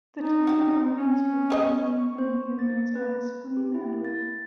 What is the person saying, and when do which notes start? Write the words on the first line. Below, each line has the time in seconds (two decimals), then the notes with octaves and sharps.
The target organs for polonium in humans are the spleen and liver.
0.20 D#4
0.47 F#4 G4
0.97 C#4
1.50 G3 C#5 D#5
1.98 C#6
2.18 C5
2.59 A6
2.95 B4
3.57 G4
3.74 E4
4.05 A6